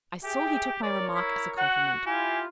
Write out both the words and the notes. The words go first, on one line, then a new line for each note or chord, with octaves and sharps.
I saw he took my remark as a compliment.
G4 G#4 E5 G5
A#4 C#5 D5
E4
F#4 F#5
E4 F4 G4 G#5